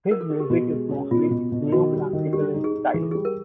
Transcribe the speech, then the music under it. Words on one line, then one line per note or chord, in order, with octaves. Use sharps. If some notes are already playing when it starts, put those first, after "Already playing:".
His music is mostly neoclassical in style.
A#4
A4
G#4
G4
B2 F#4
G#3
C#4
B2 F4
B2
B2
D#3 F#4
G3
D#3
G3 G4
D#4
G#4
D#4
E3 G#4
A4
G3 G#4
A#4